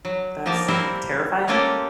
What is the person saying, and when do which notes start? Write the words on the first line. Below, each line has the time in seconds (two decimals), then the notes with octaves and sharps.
That's terrifying
0.05 F#3
0.46 F3 A#3 D#4 G4 A5
0.68 G3 C4 E4 A#4 C5 E5
1.48 G#3 A#3 C#4 F4 G4 A4